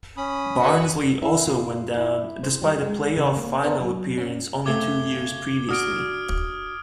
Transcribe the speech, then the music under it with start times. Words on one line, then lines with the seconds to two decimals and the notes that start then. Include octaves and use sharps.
Barnsley also went down, despite a play-off final appearance only two years previously.
0.17 C#4 B5 D#6
0.59 F#4 B4
1.22 E4
1.47 F4
1.97 E4
2.43 C5
2.62 G3
2.83 G#3
3.17 C#3
3.37 A#3
3.63 B3 D4 A#4 C5 A5
3.80 F#3
4.18 C#4
4.66 C#3 A3 C4 D6 G#6 G7
5.69 D4 F#4 D#6 F6 D7